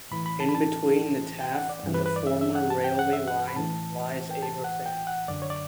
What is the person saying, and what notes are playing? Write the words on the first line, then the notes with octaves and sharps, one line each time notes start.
In between the Taff and the former railway line lies Aberfan.
A2 E3 B5
B5
A5
B5
A5
G5
F#5
D5
G2 E3
B4
B4
D5
E5
E5
F#5
A5
G5
F#5
E5
F#5
B5
A2 E3 A5
G5
A5
F#5
G5
F#5
F#2 D3 D5
C#5
D5